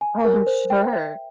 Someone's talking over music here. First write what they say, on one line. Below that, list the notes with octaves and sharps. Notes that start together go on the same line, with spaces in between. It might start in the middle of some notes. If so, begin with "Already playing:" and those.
Oh, I'm sure.
G#5
A#4
C5
G5
E5